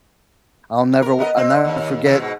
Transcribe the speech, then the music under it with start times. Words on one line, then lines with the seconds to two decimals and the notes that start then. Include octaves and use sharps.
I'll never w I'll never forget
1.02 A#4
1.19 B3 A#4 D#5
1.37 C4
1.65 D#2
2.05 C3 E3
2.20 G#2 B2